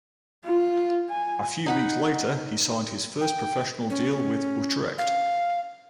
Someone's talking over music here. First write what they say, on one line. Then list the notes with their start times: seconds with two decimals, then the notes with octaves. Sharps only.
A few weeks later he signed his first professional deal with Utrecht.
0.45 F4
1.10 G#5
1.66 D#4 F#5 B5
3.21 G5
3.90 C#4
4.98 F5